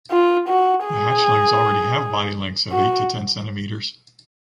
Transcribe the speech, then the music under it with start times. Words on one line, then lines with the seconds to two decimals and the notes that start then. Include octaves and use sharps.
The hatchlings already have body lengths of eight to ten centimeters.
0.11 F4
0.49 F#4
0.85 G#4
2.72 F#4